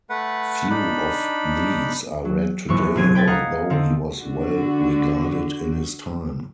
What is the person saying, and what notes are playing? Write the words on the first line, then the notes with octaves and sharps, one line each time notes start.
Few of these are read today, although he was well regarded in his time.
A3 B4 F#5
D4 D#4 B5
F#3
A#1 F#2 E3 D#4 C#6
E1 F#3 C4 G#6 D7 D#7
G5 B5 G#6 A6 B6
D#5 F5 F#5 A#5 B5 D#6
D3 C4 D#4 A4
D3 F#4